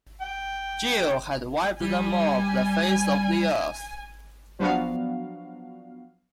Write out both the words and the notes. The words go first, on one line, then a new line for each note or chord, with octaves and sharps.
Gill had wiped them off the face of the earth.
G5
G3 G#5
F3 F#3 B3 D4 F#4 F5